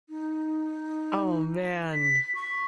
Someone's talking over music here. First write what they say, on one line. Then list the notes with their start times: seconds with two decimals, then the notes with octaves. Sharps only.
Oh, man.
0.09 D#4
1.94 B6
2.35 C#6